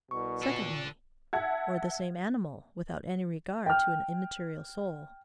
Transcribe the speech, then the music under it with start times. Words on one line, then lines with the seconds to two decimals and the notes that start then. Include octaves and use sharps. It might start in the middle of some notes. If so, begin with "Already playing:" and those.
Secondly, or the same animal, without any regard to an immaterial soul.
0.11 C2 B2 C#6
0.43 A#2 D4 A4
1.33 E5 F#5 A5 G#6
3.66 G5 F6